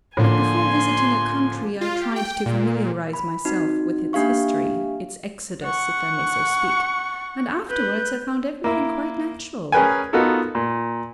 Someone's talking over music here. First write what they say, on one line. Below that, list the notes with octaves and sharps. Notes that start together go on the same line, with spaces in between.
But before visiting a country, I tried to familiarize myself with its history, its Exodus, if I may so speak, and afterwards I found everything quite natural.
A2 D3 F3 A#3 G#5 C6
F4
G4
G5
A#2
B5
C4 D#4 F#4
A#3 D4 G4 F5 C#6
F#5 C#6
B4 G6
A#3 E4
C#4 G#4 A#4 B4 G5 G#5
B3 D#4 F4 F#4 A4 A#4
A#2